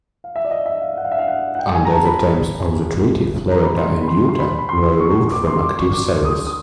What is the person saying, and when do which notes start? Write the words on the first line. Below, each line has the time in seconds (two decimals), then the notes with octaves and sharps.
Under the terms of the treaty, "Florida" and "Utah" were removed from active service.
0.24 F5
0.36 E5
0.45 D5
0.51 D#5
0.66 E5
0.81 F5
0.97 F#5
1.04 F5
1.12 E5
1.18 F5
1.28 F#5
1.55 F#5
1.59 G5
1.75 G#5
1.85 A#5
1.90 A5
2.05 B5
3.51 A#5
3.64 B5
3.76 C6
4.01 B5
4.08 C6
4.29 C6
4.39 B5
4.59 B5
4.69 C6
5.00 C#6
5.32 D6
5.47 C6
5.63 D6
5.78 C#6
5.93 D6
6.25 D#6
6.47 D#6